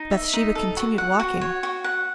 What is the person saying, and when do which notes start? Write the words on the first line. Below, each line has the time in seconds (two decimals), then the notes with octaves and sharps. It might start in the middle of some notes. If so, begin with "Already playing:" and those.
Bathsheba continued walking.
Already playing: D#4
0.11 E5
0.34 D#4
0.55 A4
0.77 F#4
0.98 F#5
1.20 F#4
1.41 C#5
1.63 F#4
1.84 F#5